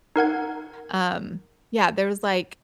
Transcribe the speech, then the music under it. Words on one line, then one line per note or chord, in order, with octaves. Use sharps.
Um, yeah, there was like,
D#4 A#4 F#5 G#6